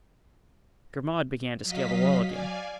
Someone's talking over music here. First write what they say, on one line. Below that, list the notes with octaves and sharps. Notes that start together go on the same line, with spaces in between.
Grimaud began to scale the wall again.
F#3 D#5 F5 B6
D5 F5 G#5